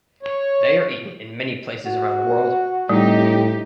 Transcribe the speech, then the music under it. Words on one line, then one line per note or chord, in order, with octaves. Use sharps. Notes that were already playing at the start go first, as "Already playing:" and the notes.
They are eaten in many places around the world.
C#5
F#4
A2 G3 C4 D#4 G4